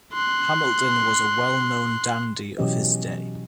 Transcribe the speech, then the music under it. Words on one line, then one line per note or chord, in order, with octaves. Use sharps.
Hamilton was a well-known dandy of his day.
C6 F#6
B2 E3 F#3 C#4 G4 D#5